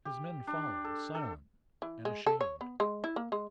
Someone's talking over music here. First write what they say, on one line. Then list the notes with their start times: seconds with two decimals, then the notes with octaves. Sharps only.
His men followed, silent and ashamed.
0.05 G4
0.47 D4
0.85 A4
1.15 A4
1.82 E3
2.05 G#3
2.26 A4
2.41 C#5
2.61 B3
2.80 G#3
3.04 E4
3.16 A#3
3.32 G#3